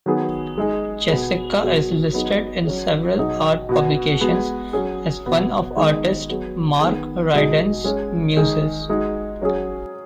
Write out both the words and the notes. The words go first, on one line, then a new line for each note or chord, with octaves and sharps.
Jessicka is listed in several art publications as one of artist Mark Ryden's muses.
D#3 F#3 B3 G#4
G#3 D#4 G#4
B2 B3 G#4
B2 F#3 B3 G#4
F#3 B3 D#4 G#4
F#3 C#4 G#4
B2 F#3 D#4 G#4
B2 B3 F#4
G#3 B3 F#4
F#3 C#4 G#4
B2 B3 F#4
D#3 G#3 B3 D#4
F#3 B3 G#4
D#3 B3 G#4
B2 G#3 D#4 G#4
G#3 C#4 G#4
D#3 G#3 D#4 G#4
G#3 D#4 F#4
F#3 C#4 G#4